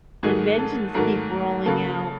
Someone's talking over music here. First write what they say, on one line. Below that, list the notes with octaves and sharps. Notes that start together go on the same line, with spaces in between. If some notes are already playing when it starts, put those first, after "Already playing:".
inventions keep rolling out.
G#2 D#3 F#3 A3 G#4
A4
G#2 D#3 F#3 A3 A#4
C#3 F#3 A#3 A4